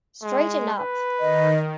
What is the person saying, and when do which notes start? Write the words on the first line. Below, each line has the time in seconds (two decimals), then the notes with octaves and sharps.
Straighten Up!
0.22 G#3
0.79 B4
1.20 D#3 D#5